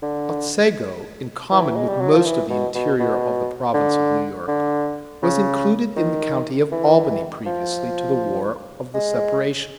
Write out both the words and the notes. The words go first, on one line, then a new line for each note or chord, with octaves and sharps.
Otsego, in common with most of the interior of the province of New York, was included in the county of Albany previously to the war of the separation.
D3
E3
G#3
G3
F#3
F3
E3
B2
B2
B2
D3
D3
C#3
D#3
E3
F3
G#3